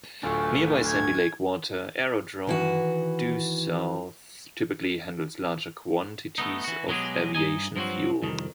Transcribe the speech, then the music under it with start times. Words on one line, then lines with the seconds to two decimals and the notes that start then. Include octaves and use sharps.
Nearby Sandy Lake Water Aerodrome, due south, typically handles larger quantities of aviation fuel.
0.23 D1 A3 D4 F4 A4 G#5 C#6
0.88 G#6
2.47 D#3 E3 F#4
6.38 A3 B3 D#4
6.64 E3 F#4
6.88 B2 F#3 G#3 G4 G#4
7.35 G2 D#4 D#5 G#5
7.76 G2 F3 F#3 C4 F#4
8.22 C2 F2 D#3